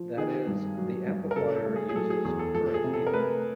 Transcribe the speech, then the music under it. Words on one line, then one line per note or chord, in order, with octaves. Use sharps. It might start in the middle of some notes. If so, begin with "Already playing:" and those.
That is, the amplifier uses current feedback.
Already playing: F3
D#3 G#4
G2
F#3
G2
A#4
C#3 A4
A4
A3
G#4
G#4
F#3 A4
G#4
E2 G#4
A4
F3 A4
G#4
C3
A4
A#4
A3 B4